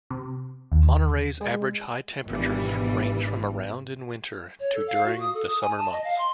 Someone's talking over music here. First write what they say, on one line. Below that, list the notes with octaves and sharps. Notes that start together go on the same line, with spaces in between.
Monterey's average high temperatures range from around in winter to during the summer months.
C3
D#2
G#3
G#1 G2 B2 E3 G3
C#5
A4
F5
F#4
D#6
A4
D#6
G#5
A5
D#5
F5
C6